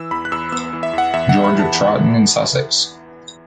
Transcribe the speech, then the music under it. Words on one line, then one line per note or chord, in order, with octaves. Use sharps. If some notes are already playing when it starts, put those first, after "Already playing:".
George of Trotton in Sussex.
Already playing: E3 E6
E2 B5
F#6
E2 E6
B3 E6
E3
E5
E2 F#5
E2 E5
B3 F#5
B5
E3 A5
E2 F#5